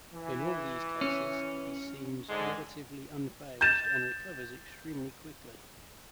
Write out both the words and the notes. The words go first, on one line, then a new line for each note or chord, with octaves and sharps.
In all these cases, he seems relatively unfazed and recovers extremely quickly.
E3
C#4
G#2 D3 G#3
G6 A6 E7